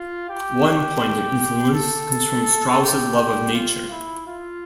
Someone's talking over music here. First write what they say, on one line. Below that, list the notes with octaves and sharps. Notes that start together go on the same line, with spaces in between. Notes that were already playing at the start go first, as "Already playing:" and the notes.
One point of influence comes from Strauss's love of nature.
Already playing: F4
G4
A4
G4
F4
E4
F4